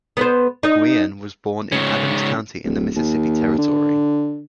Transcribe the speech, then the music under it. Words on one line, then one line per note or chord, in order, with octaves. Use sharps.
Guion was born in Adams County in the Mississippi Territory.
B3 B4 C5
D#4 D#5
G#2 C#3
D1
D#2
D3